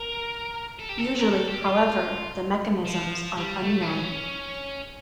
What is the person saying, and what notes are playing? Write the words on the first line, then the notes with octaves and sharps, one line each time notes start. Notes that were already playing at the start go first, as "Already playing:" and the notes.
Usually, however, the mechanisms are unknown.
Already playing: A#4
A4
G4
A4
A#4
A4
G4
F4
F3
G3
A3
D4
C#4